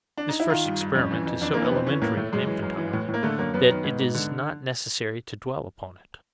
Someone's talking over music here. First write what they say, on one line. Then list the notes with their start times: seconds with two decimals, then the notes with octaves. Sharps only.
This first experiment is so elementary and infantile that it is not necessary to dwell upon it.
0.17 D4
0.29 D#4
0.40 E4
0.49 D#3 F4
0.65 G2
0.80 G2
0.95 F2 C#4
1.11 E3
1.26 F2
1.41 F2 D4
1.54 E3 A#3
1.64 B3
1.71 F2 C4
1.87 E3 C#4
2.02 A2 A#3
2.17 A2 A3
2.32 F#2 G#3
2.47 E3
2.62 F#2
2.78 E3
2.93 A2
3.08 A2
3.14 A#3
3.23 D3 A3
3.38 F#2 A#3
3.54 F#2 B3
3.70 D#3
3.84 G#2
3.99 G#2
4.14 D3